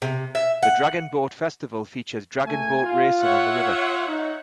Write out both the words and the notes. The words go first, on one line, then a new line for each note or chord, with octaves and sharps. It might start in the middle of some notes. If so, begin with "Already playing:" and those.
The Dragon Boat Festival features dragon boat racing on the river.
C3
E5
F#5
C#2 A3 G#5
F4
C#5 E5 F#5
D#4